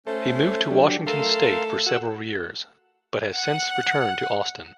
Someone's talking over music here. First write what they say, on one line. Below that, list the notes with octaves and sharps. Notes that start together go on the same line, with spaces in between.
He moved to Washington state for several years, but has since returned to Austin.
A3 C#4 A4 C5
F#3 D4 G4
A3 A4 A#4 F5 C6
F#4 F#5 E6
F#5